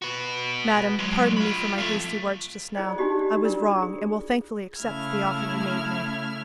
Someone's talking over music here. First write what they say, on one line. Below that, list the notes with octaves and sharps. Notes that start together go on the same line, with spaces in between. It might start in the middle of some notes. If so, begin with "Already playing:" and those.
'Madam, pardon me for my hasty words just now; I was wrong, and will thankfully accept the offer you made me.'
F#4 B4
F#3 G#3
F4 B5
F2 A3
F4 G#4 C5 D5 D#5
D4 D#4 F#4 G4 D#5
G4
D4 F4 A#4 D5
G#4
C#3 A3 E4 F6 G#6